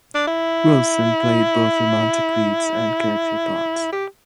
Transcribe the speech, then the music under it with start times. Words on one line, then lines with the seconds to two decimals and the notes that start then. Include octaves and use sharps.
Wilson played both romantic leads and character parts.
0.15 D4
0.27 E4
3.93 G4